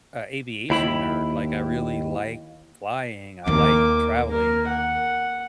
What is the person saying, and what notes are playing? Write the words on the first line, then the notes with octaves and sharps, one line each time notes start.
a aviation nerd, like, I really like flying, I like traveling.
D#2 E4 B5
D#2 D3 A#3 D6
A#3 A#4
F#5